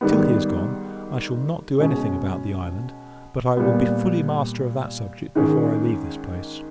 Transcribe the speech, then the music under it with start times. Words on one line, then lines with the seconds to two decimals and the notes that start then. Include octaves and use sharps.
Till he is gone, I shall not do any thing about the island; but I will be fully master of that subject before I leave this place.
0.01 G#2 D#3 G3 B3
1.79 B2 G#3 C#4
3.57 A#2 G3 B3
5.35 G#2 D#3 G#3 C#4